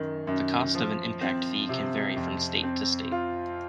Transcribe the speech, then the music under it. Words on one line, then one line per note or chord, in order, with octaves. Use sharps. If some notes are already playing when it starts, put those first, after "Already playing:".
The cost of an impact fee can vary from state to state.
Already playing: F#2 D#3
F#2
F3
C4
C3
F2
C4
F4